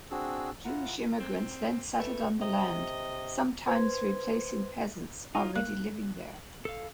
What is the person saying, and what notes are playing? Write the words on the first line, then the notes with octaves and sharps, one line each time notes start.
Jewish immigrants then settled on the land, sometimes replacing peasants already living there.
C4 D4 F#4 G#4 E6
E4 F4 F#5 A#5
C4
A3 B4
C3 D#5
B4 C5 C6 G#6
D#4 F4
A#3 F#6
A4 F5